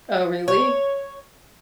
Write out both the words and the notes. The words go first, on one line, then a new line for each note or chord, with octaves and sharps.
Oh, really?
C#5